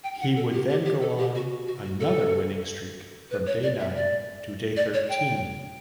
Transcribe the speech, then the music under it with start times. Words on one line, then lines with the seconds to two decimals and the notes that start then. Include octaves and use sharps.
He would then go on another winning streak from day nine to day thirteen.
0.04 G5
0.21 F#5
0.36 A4
0.53 G4
0.70 G4
0.85 G4
1.01 A4
1.18 G4
1.35 F#4
1.67 F#4
1.84 F#4
2.00 A4
3.31 B4
3.47 C#5
3.63 D5
3.79 E5
3.96 D5
4.77 D5
4.94 C#5
5.09 G5